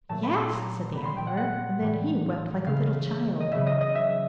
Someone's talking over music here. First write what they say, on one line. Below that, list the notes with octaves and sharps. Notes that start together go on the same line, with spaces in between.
'Yes,' said the Emperor; and then he wept like a little child.
A#2 F#3 A3 A5
B5
C6
A#5
A#2 G3 B3 B5
C6
G5
F#5
F#5
A2 E3 G3
C#3 E3 G#3 F5
D#5
C#3 F#3 B3 E5
D#5
D#5
E5